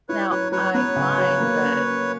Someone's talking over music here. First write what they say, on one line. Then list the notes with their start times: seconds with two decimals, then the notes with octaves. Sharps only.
now, I find that
0.09 E4 B4 C#5
0.30 F#3 B4 C#5
0.52 F#3 B4 C#5
0.74 B3 B4 C#5
0.96 C#3
1.18 F#3
1.40 A#3
1.62 C#4
1.84 C#4